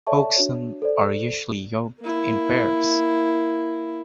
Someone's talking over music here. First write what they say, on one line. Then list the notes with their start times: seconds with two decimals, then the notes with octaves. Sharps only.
Oxen are usually yoked in pairs.
0.07 A4 C#5 D5 E5 A5 C#6
0.36 D4 F#4 C#5
0.82 A4 C5 D5
2.00 A#3 E4